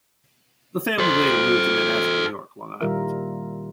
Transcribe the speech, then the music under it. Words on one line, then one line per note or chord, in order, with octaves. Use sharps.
The family later moved to Manhasset, New York, Long Island.
A4 C5
A#2 D#3 G3 F4 A#4 E5